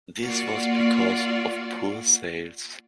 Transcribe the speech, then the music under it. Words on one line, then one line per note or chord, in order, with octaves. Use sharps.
This was because of poor sales.
A#3 F4 F#4 D5